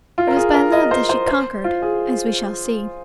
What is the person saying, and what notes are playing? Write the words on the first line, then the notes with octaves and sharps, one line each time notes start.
It was by love that she "conquered"--as we shall see!
F4
A#4
G#4
A#4
D#5
C5
C5
C5
F4
G#4